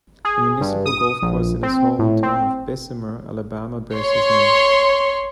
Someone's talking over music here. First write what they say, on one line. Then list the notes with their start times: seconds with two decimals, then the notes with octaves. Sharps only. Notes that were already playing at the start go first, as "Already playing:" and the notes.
A municipal golf course in his home town of Bessemer, Alabama, bears his name.
0.25 G#4
0.61 G2
0.86 D#6
1.22 A#1
1.63 C4
1.99 A2
2.23 C4
3.96 C#5 C6